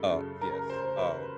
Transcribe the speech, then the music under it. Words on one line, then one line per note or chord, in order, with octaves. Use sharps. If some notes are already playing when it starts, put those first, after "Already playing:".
Uh, yes, um,
Already playing: F#2 C#3 G#3 A4
A#4
C5
B4